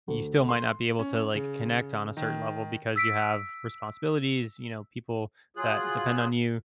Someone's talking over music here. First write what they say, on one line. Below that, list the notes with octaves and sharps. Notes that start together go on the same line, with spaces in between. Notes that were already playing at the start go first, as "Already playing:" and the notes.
you still might not be able to, like, connect on a certain level because you have responsibilities, you know, people that depend on you,
D2
C6
C#4
C#3
D#3
E6 B6 D7
F#3 F4 G#4 F#6